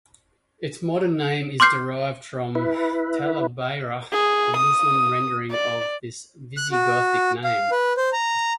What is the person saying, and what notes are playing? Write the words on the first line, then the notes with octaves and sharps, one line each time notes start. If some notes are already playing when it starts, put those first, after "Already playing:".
Its modern name is derived from "Talabayra", the Muslim rendering of this Visigothic name.
C6 D6 F6 G6 C7
E4 B4
G#4
D#6
D5
F#6
F#4
F5
B4
C5
A#5